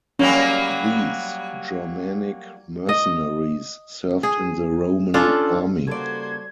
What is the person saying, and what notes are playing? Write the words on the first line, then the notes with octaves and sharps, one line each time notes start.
These Germanic mercenaries served in the Roman army.
F#3 G3 A#3 C#4
D#5
G#4
C#4 D4 F4 A4
C#3 G3 A#3 F#4 A4 C5 D5 G#6